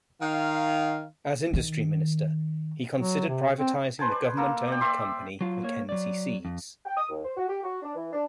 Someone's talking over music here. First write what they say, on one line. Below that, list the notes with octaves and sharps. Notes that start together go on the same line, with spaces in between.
As Industry Minister, he considered privatizing the government-owned company McKenzie Seeds.
D#3 F5
D#3
F#3
C3
C4
B4 C5 G#5 A5
D5
A#3 A4
D5 G5
D5 E5 C6 D6
F#3 F4
A#3 C#5
F#3 D5
F2
G5
D#6
D#2
C5
F#4
G4
F#4
D4
E3
D4